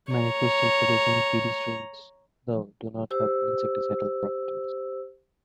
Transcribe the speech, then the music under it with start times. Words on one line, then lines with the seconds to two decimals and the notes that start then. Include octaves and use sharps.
Many crystal-producing Bt strains, though, do not have insecticidal properties.
0.12 C#5 A#5
3.11 G4 C5 E6